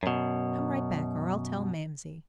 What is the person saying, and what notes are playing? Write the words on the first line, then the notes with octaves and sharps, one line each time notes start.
"Come right back, or I'll tell mamsie!"
F#2 B2